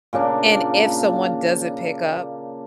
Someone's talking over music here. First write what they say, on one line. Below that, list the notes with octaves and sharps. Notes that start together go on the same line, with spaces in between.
And if someone doesn't pick up,
A#2 C#3 A#3 D4